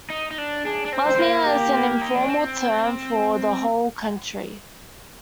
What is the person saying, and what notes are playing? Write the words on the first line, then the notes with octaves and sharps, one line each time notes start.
"Bosnia" is an informal term for the whole country.
D#4
D#4
D4
D4 G#4
D4
C4
C5
C4
A#3
G4
D#4
D4
C4